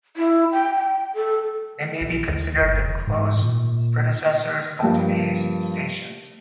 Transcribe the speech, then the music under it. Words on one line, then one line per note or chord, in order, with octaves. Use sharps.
They may be considered the closed predecessors of today's stations.
E4
G5
G5
A4
A#1
D#2
G1
F1
G#2
A#2
G2 F3 A#3 G5 A5